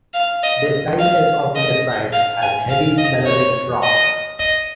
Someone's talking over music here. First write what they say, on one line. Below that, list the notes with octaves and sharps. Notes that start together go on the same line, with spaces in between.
Their style is often described as heavy melodic rock.
F5
D#5
F5
D#5
F5
G#5
F5
D#5
C#5
D#5
D#5